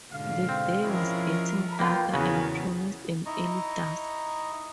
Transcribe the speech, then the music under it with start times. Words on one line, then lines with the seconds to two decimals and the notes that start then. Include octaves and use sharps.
The day was getting darker, and promised an early dusk.
0.12 G#2 B2 D3 F5
0.49 C4
0.83 F3 G#3 C#4 E4 A#4
1.79 A#3 B3 F4 G5
2.14 E2 C#3 B3 F#4 A#4 B4 G#5
3.26 D#4 E4 D#5 A#5 C#6